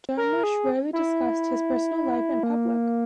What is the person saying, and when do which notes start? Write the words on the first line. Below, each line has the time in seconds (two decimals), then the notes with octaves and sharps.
Jarmusch rarely discusses his personal life in public.
0.17 A#4
0.43 G#4
0.93 E4
2.43 A#3